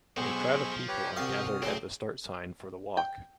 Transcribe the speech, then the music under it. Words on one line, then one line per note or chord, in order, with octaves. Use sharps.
A crowd of people are gathered at the start sign for the walk.
B1 G#3 E4 G#4 C5 C#6
F3
G4 B4 C#5
C2 F#4 F5 D#6 F6
A2 C#3 F#3 C4
G5